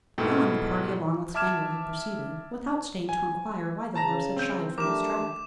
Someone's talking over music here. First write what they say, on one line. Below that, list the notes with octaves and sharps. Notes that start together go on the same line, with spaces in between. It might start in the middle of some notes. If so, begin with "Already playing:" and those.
Beyond the party along with Spangler had proceeded--without staying to inquire why the horse had shied from his track.
G#2 B2 E4 A4 G5
E5 A5 D6 F6 G#6 E7
G#5
C#3 A5 A#5 A#6
C4 G6
A3 D4 G4 A#4 D6 E7